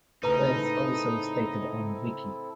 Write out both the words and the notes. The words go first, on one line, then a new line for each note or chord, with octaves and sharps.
Wells also stated on Vicki!
A2 C#3 C4 D#4 E4 A4 B4 A#5